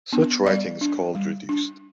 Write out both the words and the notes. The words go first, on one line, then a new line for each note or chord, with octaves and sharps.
Such writing is called reduced.
B3 D4
G3 D5
D4
G3
D4